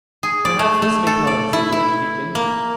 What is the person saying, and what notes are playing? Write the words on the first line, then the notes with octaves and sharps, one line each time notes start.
"Perhaps this may tell us," said the Archdeacon.
G#4
D5
A3
A3
A4
D5
E4
E4
A#3